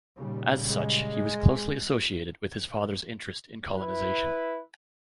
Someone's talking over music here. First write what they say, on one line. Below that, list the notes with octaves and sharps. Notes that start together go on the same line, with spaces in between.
As such, he was closely associated with his father's interest in colonisation.
D#2 A#2 C#3 G3
G#3
E4 B4